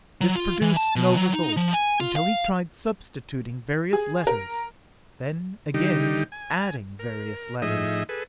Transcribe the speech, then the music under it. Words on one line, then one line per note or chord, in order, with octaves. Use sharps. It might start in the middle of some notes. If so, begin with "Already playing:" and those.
This produced no result, until he tried substituting various letters; then, again, adding various letters.
F#3
F4
E3
A5
B2
F#3
D#4
F3
G#5
F4
F5
G#4
A#4
D3 D#3 G3 D#4 G4
G#5
A#4
A2 F3 D#4 G#4 D#5 E5
G#4 A4 B4